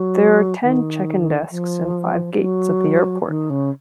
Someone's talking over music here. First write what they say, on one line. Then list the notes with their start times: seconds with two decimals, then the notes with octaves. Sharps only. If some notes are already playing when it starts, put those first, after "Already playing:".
There are ten check-in desks and five gates at the airport.
Already playing: F#3
0.63 D#3
1.50 F3
2.38 F#3
3.27 D#3
3.49 C#3